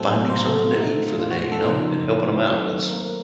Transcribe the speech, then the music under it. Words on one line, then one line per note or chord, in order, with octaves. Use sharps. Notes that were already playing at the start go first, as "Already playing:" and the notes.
finding something to eat for the day, you know, and helping 'em out. That's
Already playing: A2 F#3 A3 C4 A4
C5
A#3 A#4
A3 A4
F#4
F4
A#2 A3 D#4
F4
F#4
A3 A4
C#3 F3 A#3 C4 D#4 C5
D#3 F#3 A3 C4
A#3 A#4